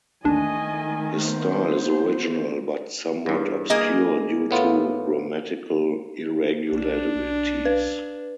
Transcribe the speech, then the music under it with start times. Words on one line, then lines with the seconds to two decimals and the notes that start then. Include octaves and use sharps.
His style is original, but somewhat obscure due to grammatical irregularities.
0.25 A1 D#2 D#3 A3 D4 D#5 G#5
1.20 B3 C5
3.26 E2 G2
3.70 A#3 G#4 D#5
4.51 A2 B3 F4
6.72 B1 D4
7.16 B1
7.65 B4